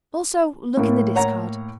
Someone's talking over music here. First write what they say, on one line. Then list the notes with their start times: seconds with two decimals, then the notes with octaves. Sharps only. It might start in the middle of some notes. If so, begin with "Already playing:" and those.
Also look in the discard.
0.77 A2 A#3
1.16 C#5 F#5 A#5